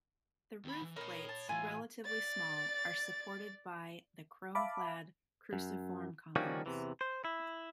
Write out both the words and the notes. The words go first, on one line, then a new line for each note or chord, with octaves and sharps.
The roof plates, relatively small, are supported by the chrome-clad, cruciform columns.
D#2 B5
E3
D#4 A#4 C#5 B5
A5
A2 E3 E4 F4 G#5
D5 A6
E5 F5 A5 B5 D6
F#2
D#3 F3 G3 A#3 C#4 F#4
E2 C3 E3
C5
E4